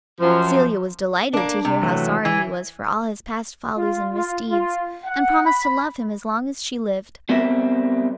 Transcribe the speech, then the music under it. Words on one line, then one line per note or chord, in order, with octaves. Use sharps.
Celia was delighted to hear how sorry he was for all his past follies and misdeeds, and promised to love him as long as she lived.
F#2 F3
A#3 D4
C3
E3 F#3 A3
E3 G#5
F4
F4
F4
F#5
B5
G3 B3 C4 A#4 E5